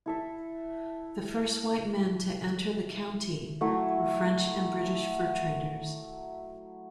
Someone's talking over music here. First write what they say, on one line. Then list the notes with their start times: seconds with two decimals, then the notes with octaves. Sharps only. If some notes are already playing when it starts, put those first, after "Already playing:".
The first white men to enter the county were French and British fur traders.
0.06 E4 A4 E5
3.61 F#3 A3 E4